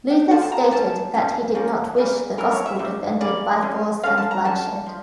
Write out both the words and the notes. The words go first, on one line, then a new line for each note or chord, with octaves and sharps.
Luther stated that he did not wish the Gospel defended by force and bloodshed.
G5
D3 F3 A3 A5
A5
A#5
F3 C#4 A5
F3 C#4
F3 A#3 C#4
C#3 E3 G3 A#3
E3 A#3 C#4 A#4
C#5
E5
C#3 G3
E3 A#3 C#4 D5
C#3 F3 C#4
D3 F3 A#3 C#4 F5
A5
A#5
D3 G3 C#4 A5
F3